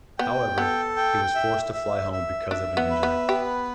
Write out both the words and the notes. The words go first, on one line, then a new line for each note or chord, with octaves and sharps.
However, he was forced to fly home because of an injury.
B3 G5
B3 A4
G5
E5
E5
E5
D4 E5
B3
B4
B3
B3 G4